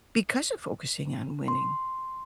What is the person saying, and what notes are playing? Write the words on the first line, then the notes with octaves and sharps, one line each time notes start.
because of focusing on winning
C6